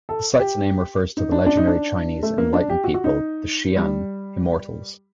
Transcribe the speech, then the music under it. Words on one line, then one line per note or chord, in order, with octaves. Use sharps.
The site's name refers to the legendary Chinese enlightened people, the Xian "immortals".
A4
G4
D#4
D4
D4
D#4
D4
A3
A#3
D4
G4
F#4
F#4
D#4
G3